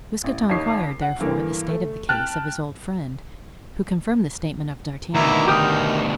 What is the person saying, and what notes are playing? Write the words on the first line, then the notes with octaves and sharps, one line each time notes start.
Mousqueton inquired, therefore, the state of the case of his old friend, who confirmed the statement of D'Artagnan.
A1
D#2 D#4 C#5 C7
F#5
G2 D3 E3 A#3
A3
G5 A5 F6 F#6 A6
D2 B2 D#3 E4 A#5 D6
D#4 G4 D#6 F6